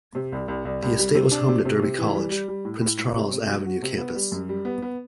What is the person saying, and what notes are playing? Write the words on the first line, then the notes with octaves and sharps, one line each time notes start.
The estate was home to Derby College, Prince Charles Avenue Campus.
C3
C2
C2
C2
C2
G3
C3
D4
C3
C3
C3
E3
G3
G3
G3
A2
A2
A2
C3
C3
F#3
F#4
C3
B3
G3
F#2
G3
B3
B3